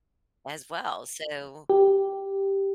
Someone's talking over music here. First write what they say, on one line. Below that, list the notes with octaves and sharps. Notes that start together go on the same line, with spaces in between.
as well, so
G4